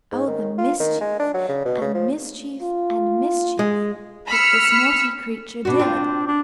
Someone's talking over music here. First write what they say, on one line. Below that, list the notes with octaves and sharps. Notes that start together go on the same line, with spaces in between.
Oh, the mischief, and mischief, and mischief that this naughty creature did!
G#2
D#3
F4
D#3
G#3
D4
F#3
C#3
B2
C#3
F3
F4
G#3
B5 E6 F6 C#7
B2 D4 F#4
C4 F4
D4